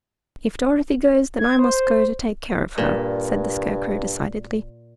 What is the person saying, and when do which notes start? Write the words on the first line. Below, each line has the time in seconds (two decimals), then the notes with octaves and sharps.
"If Dorothy goes, then I must go to take care of her," said the Scarecrow, decidedly.
1.38 G#6
1.59 C5
2.78 G2 A#2